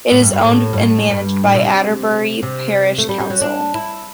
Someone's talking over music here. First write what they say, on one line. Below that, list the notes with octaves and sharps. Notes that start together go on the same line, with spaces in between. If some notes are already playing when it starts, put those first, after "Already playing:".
It is owned and managed by Adderbury Parish Council.
A2
G2
G2
A2
G2
A2
G2
A2
B2
C3
C3
A3
G3
G3
F#3
D4
E4